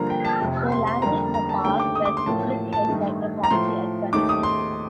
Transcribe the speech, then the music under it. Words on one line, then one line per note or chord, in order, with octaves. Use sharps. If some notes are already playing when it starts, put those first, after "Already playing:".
They landed in a park where Killick hijacked a taxi at gunpoint.
Already playing: G2 D3 F3 A#3 A#5
G5
A5
F1 F2 C3
C6
C6
F2 D3 G3 A#3 A#5
A#5
A5
D#2 D3 A3 G5
D6
D#6
D6
C6
A1 A2 F3 A#3 A5
A5
G2 D#3 A3 D#4
A#5
A2 F3 A3 C6
D#2 D#3 A3 D#4 D6
D#6
C6